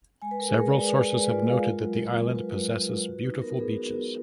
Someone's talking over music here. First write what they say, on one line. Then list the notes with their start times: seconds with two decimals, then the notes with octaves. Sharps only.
Several sources have noted that the island possesses beautiful beaches.
0.22 G#3 G#5
0.31 B4
0.39 G#3 A#4
0.49 G#4
0.58 G#3 A#4
0.69 D5
0.75 G#3
0.82 B4
0.93 G#3 B4
1.11 G#3
1.24 B4
1.29 F4 D5
1.46 G#3 F5
1.64 F4 A#4
1.82 F#3
2.00 F#3
2.18 F4
2.35 F4 B4
2.53 F#3
2.71 F#3
2.89 F4
3.07 F#4
3.24 D#4
3.42 B3 A#4
3.60 B3 G#4
3.77 F#4
3.95 B3